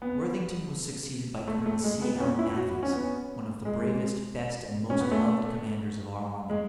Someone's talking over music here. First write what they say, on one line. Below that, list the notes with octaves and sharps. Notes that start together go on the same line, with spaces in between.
Worthington was succeeded by Colonel C. L. Matthies, one of the bravest, best, and most loved commanders of our army.
B3
A3
A3
G#3
B3
B3
C#4
E4
F#4
C#4
B3
G#3
C#4
B3
A3
G#3